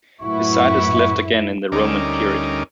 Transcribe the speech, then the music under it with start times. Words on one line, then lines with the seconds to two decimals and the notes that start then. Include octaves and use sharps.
The site is left again in the Roman period.
0.21 F#2 A2 E4 F#4 B4 C#6
1.72 D2 G3 C#4 D#4 A#4 D6